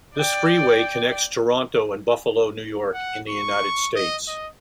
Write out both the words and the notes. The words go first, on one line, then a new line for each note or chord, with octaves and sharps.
This freeway connects Toronto and Buffalo, New York, in the United States.
D5 G5
F#5
C#6
D#5
D#5